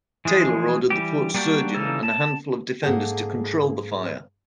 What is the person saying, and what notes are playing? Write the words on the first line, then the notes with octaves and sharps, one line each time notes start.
Taylor ordered the fort's surgeon and a handful of defenders to control the fire.
E3 F3 G#3 G#4
E3 G3 G4
G3 A#3 D4 D#4 F#4 G4
C#3 E3 G3 A#3 D#4 A4
A5
G#2 A#3 G#4 A4 F#5 A5